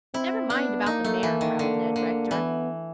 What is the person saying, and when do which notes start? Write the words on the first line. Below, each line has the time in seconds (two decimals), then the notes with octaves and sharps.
"Never mind about the mare," growled Ned Rector.
0.14 C4 E4
0.50 B3 D4
0.86 A#3 D#4
1.04 A3
1.23 E3
1.41 D#3
1.59 D3
1.96 D3
2.31 E3 B3